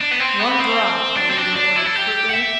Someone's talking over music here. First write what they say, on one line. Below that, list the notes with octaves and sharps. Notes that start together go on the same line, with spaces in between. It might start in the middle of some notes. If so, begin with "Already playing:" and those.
"One drop!" the leader ordered curtly.
D4
B3
C4
B3
C4
D4
C4
D4
D4
E4
A4
G4
F#5
E5